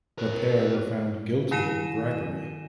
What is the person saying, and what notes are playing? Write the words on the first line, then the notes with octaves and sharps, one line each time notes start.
The pair were found guilty of bribery.
A#4 C#5
D#3 E4 G#5 A#6 D#7 E7